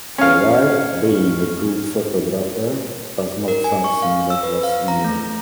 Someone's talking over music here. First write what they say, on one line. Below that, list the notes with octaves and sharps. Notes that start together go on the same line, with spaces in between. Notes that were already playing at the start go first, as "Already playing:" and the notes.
For White, being a good photographer was not something that was innate.
C#4 F5
A#4
G#5
C#6
F5
E6
B4
F5
A#5
A3